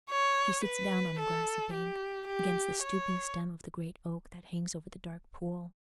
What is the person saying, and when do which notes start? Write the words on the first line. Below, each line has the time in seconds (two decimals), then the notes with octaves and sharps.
She sits down on the grassy bank, against the stooping stem of the great oak that hangs over the dark pool.
0.10 C#5
0.65 B4
1.20 A4
1.74 G4
2.28 G4
2.83 C#5